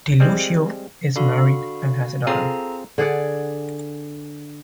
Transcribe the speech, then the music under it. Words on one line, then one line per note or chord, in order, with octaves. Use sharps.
DiLucchio is married and has a daughter.
G3 G#3 C4
D3 F#4 F5 B5
C4 F4 G#4 A4 A#5
D3 G#4 D5 F#5